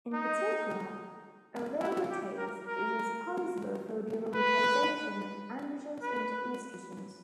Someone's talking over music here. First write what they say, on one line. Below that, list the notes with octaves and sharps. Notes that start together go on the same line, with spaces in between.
In particular, aromatase is responsible for the aromatization of androgens into estrogens.
D#4
E4
G4
A#4
A#4
B4
B4